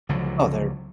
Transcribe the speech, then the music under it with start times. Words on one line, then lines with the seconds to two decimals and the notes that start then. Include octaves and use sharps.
Oh, there
0.09 C#2 D3 F3 F#3